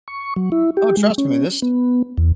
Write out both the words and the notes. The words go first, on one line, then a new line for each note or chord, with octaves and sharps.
Oh, trust me, this
C#6
F#3
E4
G4
G#3
C#4
B3
E2